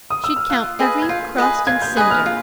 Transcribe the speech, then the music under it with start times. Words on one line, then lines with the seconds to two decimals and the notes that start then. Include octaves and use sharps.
She'd count every crust and cinder.
0.10 D#6
0.24 E6
0.36 F6
0.50 F4 F#6
0.79 G#4 B4 D#5
1.02 G#6
1.09 F4 G6
1.38 G#4 B4 D#5
1.67 F4 G#6
1.82 G6
1.97 G#4 B4 D#5 F#6
2.11 F6
2.26 F4